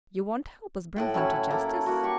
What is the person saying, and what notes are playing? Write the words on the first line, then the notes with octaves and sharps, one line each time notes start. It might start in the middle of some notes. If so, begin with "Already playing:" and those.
"You won't help us bring them to justice?"
A2 F#5 G5
F#3 C#4 E4
A#3 A4
A#3 F#4
G4 C#6